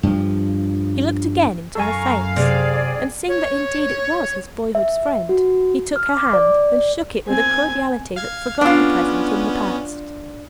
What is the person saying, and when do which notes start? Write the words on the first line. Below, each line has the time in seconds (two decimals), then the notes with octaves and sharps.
He looked again into her face, and seeing that indeed it was his boyhood's friend, he took her hand, and shook it with a cordiality that forgot the present in the past.
0.03 G2 F3
1.75 F#2 A4 F5 G#5 A#5 C#6
2.36 C3 G#4 D5
3.29 C#5
4.75 E5
5.29 F#4
5.96 F6
6.17 D6
6.33 D5
7.27 C4 G#5
8.16 F5 F6 G#6
8.61 B3 C#4 D4 F4